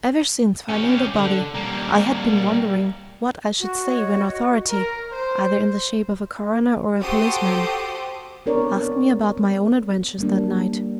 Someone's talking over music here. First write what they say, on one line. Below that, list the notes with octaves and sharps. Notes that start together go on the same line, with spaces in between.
Ever since finding the body, I had been wondering what I should say when authority, either in the shape of a coroner or a policeman, asked me about my own adventures that night.
C#4 G4
D3
G3 A#3
F#4
C#5 D#5
A#4
C5
F#4 G4 A4 C5 C6 D#6
B3 C4 D4 A#4 C#5 D5
G3 A#3 D4